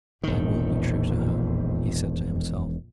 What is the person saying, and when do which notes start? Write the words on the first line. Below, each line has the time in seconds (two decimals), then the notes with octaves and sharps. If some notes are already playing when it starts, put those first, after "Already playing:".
"And I will be true to her," he said to himself.
0.23 E1 A#1 F2 D#3